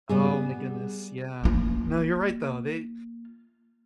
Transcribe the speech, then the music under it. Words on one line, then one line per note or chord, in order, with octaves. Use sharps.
Oh my goodness, yeah, no, you're right though, they
G3 B3 G#4
A#3 F4